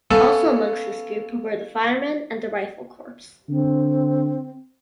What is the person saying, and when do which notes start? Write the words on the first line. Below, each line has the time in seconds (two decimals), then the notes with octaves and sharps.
Also amongst this group were the firemen, and the rifle corps.
0.11 B3 C#4 A4 E5 F5 A5
3.50 D3 C4